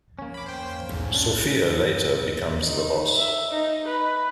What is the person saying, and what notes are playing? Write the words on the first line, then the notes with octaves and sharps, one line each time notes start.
Sophia later becomes the boss.
A#3 C#4
B5 D6
C5 G5
B1 E2 G#2
C#4 D4
D#4
E5
D#4
B4